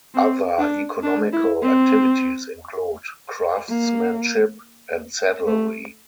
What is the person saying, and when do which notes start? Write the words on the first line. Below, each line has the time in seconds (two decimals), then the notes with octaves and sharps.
Other economical activities include craftsmanship and saddlery.
0.14 C4
0.59 D4
1.03 D4
1.33 E4
1.62 C4
3.69 A#3
5.47 A3